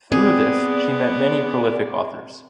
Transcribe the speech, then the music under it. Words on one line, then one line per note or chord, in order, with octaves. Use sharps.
Through this, she met many prolific authors.
G#3 B3 C4 G#4 D5